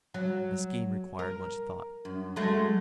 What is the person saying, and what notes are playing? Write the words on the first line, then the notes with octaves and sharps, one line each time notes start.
My scheme required much thought.
F#3
A#4
F#2
F#3 G#3 A3